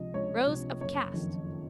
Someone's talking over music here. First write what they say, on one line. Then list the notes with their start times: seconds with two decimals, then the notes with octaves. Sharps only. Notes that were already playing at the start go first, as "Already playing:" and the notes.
Rows of cast.
Already playing: C#2 C3 F3 D#5
0.14 C#2 C#5
0.47 C3 F3
0.81 F#1 C#5
1.14 F2 D#3